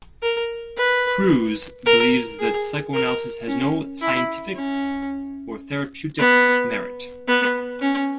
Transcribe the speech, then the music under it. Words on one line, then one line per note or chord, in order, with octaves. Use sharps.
Crews believes that psychoanalysis has no scientific or therapeutic merit.
A#4
B4
A#4
G#4
A#4
C#4
E4
C#4
B3
B3
C#4